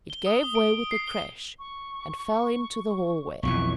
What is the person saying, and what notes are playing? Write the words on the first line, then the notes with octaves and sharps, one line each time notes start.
It gave way with a crash, and fell into the hall way.
G7
D#6
G7
D7
C7
G7
C#6
B1 F2 E3 C#6